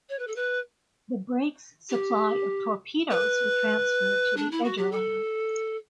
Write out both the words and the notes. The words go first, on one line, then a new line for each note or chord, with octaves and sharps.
The "Brake"s supply of torpedoes were transferred to the "Egerland".
C#5
B4
A4
B4
G4
B4
D4
E4
F#4
G4
A4